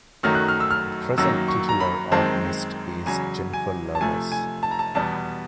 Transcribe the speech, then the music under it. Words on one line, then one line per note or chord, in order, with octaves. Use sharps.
The present titular organist is Jennifer Loveless.
F#2 D#3 F#3 A3 F6
F#6
F6
E6
F6
F#2 D#3 F#3 A#3 E6
C#6
A#5
B5
F#2 D#3 G#3 C4 A5
E2 C#3 F#3 G#5
G#5
A5
C3 F3 A3 G#5
G#5
A5
A#5
A5
E2 B2 G3 B3 A5